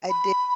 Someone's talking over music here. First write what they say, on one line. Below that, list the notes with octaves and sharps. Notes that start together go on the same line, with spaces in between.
I did
B5